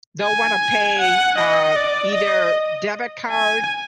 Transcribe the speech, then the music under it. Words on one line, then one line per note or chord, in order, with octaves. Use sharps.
they'll want to pay, uh, either debit card,
G#5
F#5
D#5
D5
D#5
G#5